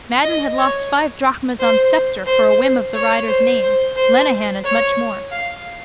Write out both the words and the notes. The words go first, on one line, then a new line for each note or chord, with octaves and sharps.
Madden had lost five drachmas on Sceptre for a whim of the rider's name: Lenehan as much more.
D#5
C#5
C5
C5
C#5
C5
C5
C5
C#5
F5